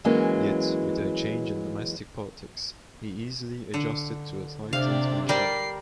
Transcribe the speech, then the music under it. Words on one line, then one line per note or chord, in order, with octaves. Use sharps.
Yet, with a change in domestic politics, he easily adjusted to a tightened regime.
E3 F#3 G#3 A#3 C#4
D3
C3 D4 D5 F5
G3 G4 A#4 D5 G5 C7